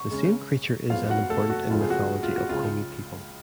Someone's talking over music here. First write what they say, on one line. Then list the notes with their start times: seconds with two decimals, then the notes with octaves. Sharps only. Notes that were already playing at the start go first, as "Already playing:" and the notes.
The same creature is an important in mythology of Komi people.
Already playing: C#6
0.10 C#3 G#3 C#4
0.90 F#2 F3 G#3 B3 F4 F5
1.10 F#4 F#5
1.30 A3 A4
1.50 F#4
1.70 C#2 C#3 F3 A3 F4
1.81 G#4
1.90 F#4
2.23 F4
2.36 F#4
2.49 C#2 C#3 G#3 F4